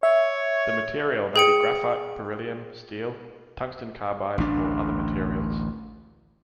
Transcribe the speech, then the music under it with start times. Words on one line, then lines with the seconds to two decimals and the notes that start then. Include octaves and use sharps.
The material may be graphite, beryllium, steel, tungsten carbide, or other materials.
0.03 C#5 E5
1.36 G#4 G5 C#7
4.38 A1 D2 D4